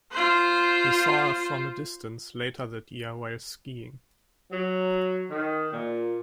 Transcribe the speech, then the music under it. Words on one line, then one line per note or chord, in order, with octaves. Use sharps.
He saw her from a distance later that year while skiing.
F4 C5
F#3
D#3
A#2